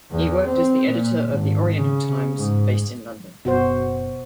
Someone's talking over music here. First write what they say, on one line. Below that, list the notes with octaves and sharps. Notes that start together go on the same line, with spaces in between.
He worked as the editor of The Oriental Times based in London.
E2
C4
A#2
G#1
C#3
G#2
F#1 B2 F#4 C5